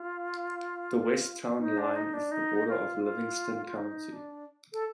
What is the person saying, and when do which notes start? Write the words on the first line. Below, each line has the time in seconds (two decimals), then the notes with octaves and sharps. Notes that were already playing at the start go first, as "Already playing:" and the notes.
The west town line is the border of Livingston County.
Already playing: F4
1.59 D#4
1.78 D4
1.96 D#4
2.14 D4
2.31 D#4
2.68 F4
3.04 F4
3.66 F4
3.77 D#4
4.12 D4
4.73 A4